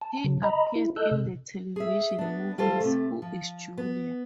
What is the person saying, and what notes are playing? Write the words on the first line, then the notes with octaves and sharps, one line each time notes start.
He appeared in the television movies Who is Julia?
A5
C#3 F#3
D#5 A#5 B5
E4
A4 D#5 E6 F#6 G6
C3
G#4 E5
B3 D4
G3 F4 A4 C5
C3 A3
F3
B3